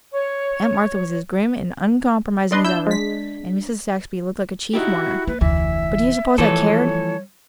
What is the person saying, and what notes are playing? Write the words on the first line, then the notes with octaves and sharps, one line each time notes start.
Aunt Martha was as grim and uncompromising as ever, and Mrs. Saxby looked like a chief mourner, but do you suppose I cared?
C#5
D4 B4 D5 D#5 C6
E4 E6 G6
G#3 B6
D#4 E4 F#4 G4
A#3 B4
F1 D2 E3 E5
E3 F3 G3 A3 A4 B4 C#5